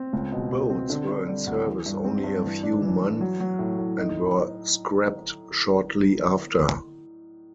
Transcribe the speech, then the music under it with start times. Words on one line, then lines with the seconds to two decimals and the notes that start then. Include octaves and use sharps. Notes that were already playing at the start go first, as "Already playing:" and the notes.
The boats were in service only a few months and were scrapped shortly after.
Already playing: C4
0.13 C#2
0.32 B2
0.52 B2
0.70 C4
0.90 D3
1.09 D3
1.28 G3
1.47 D2
1.66 E3
1.86 G2
2.05 C4
2.24 G2
2.44 E3
2.63 D4
2.82 E3
3.02 E3
3.21 F#3
3.40 F#3
3.59 A2
3.79 A2
3.98 D#4